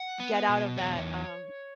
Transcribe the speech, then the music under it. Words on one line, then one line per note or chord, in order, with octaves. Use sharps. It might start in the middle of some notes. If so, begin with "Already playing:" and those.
get out of that, um,
Already playing: F#5
B3
B2
E2 C#5